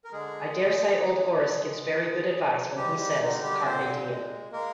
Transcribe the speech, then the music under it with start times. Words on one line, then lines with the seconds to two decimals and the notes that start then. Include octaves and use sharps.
I daresay old Horace gives very good advice when he says, carpe diem.
0.04 A#4
0.12 D3 G#3 G#4
0.56 G#3
1.00 G#3
1.44 D3
1.88 D3
2.32 F3
2.76 G3 G#3 G4
2.98 G3 G4
3.21 D3 D#3 D#4
3.42 G3 G4
3.64 A#2 C4 C5
4.09 G#3
4.52 G#3 A#3 A#4